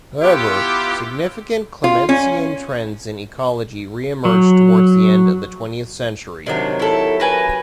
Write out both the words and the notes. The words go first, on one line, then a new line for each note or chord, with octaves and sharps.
However, significant Clementsian trends in ecology re-emerged towards the end of the twentieth century.
B3 E4 F4 G4
F4
C#4
F#3
C3 D#3 F#3 D4
E4 A4 C#5
A#4 B4 G#5